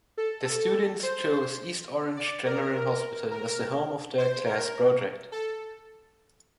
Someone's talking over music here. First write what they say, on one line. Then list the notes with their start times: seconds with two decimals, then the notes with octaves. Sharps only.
The students chose East Orange General Hospital as the home for their class project.
0.17 A4
0.45 A4
1.03 C5
2.17 D5
2.45 A#4
3.31 A#4
4.18 C5
4.46 A#4
5.32 A4